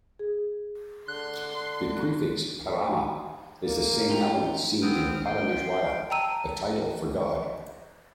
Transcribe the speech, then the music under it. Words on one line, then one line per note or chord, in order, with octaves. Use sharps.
The prefix "parama" is the same element seen in "Parameshwara", a title for God.
G#4
D3 C6 F#6
A#3
F4 G4 A#5
B3 C4 G5 D#6 F6
G5 C6
G5 A5 A#5 E6 D#7